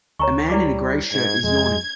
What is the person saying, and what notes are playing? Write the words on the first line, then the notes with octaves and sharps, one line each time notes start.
A man in a gray shirt is yawning.
D2 C#5 A#5 C#6
G3 E4 D5 D6
G#2 G#6
F2 G#3